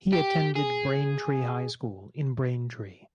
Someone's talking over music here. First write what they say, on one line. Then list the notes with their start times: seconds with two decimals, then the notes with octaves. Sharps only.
He attended Braintree High School in Braintree.
0.13 G4
0.55 G#4